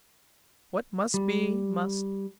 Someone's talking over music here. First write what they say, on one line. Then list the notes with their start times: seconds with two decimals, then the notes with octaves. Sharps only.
What must be, must....
1.14 G3